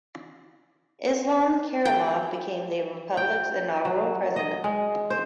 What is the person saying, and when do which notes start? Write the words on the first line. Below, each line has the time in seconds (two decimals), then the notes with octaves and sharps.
Islam Karimov became the republic's inaugural president.
1.85 G5
3.17 G5
3.85 F#3
4.36 D#5
4.64 G#3
5.10 C5